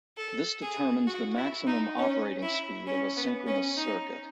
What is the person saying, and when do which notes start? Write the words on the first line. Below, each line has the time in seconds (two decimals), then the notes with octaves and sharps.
This determines the maximum operating speed of a synchronous circuit.
0.17 A4
0.62 G#4
1.07 F#4
1.37 E4
1.67 D#4
1.97 C#4
2.42 E4
2.87 C#4
3.17 B3
3.47 C#4
3.77 D#4